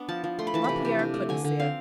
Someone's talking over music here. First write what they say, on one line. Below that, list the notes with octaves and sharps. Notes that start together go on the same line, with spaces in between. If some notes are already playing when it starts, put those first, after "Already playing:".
Lapierre couldn't see it.
Already playing: B3 D4
F3 A5
F3
A3 C6
B5
E3 A5
C3 B5
C3
D4
A3
D3 G#5
D3
C4 F5